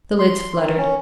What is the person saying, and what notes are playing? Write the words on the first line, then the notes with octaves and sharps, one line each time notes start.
The lids fluttered.
C6
D#3
C#4